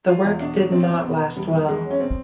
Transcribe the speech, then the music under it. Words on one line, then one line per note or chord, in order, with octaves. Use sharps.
The work did not last well.
F#3 F4
E2
B2 D4
F#3
B2 C4
E2
B2 B3
B2
E2 G3
E2
E2 G#3
F#3
C#4
B2 C4